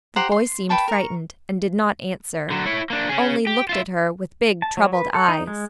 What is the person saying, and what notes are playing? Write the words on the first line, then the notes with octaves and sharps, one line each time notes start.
The boy seemed frightened, and did not answer, only looked at her with big, troubled eyes.
G4 C5 F#5 A#5
C6
B4 G5 A5 C#6
A#4 C#6
D3 F#3
E4 C#5
A#3 D4
C#4 G#4
G4
F4 E5
A5
F#3
B4
A4
D#4
G#3